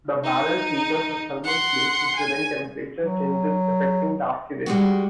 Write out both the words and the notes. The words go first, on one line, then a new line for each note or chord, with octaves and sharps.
The barrel features a thermal sleeve to prevent temperature changes affecting the accuracy.
D#4
F#5 C6
G#5
F#3
G3 G#3 F#4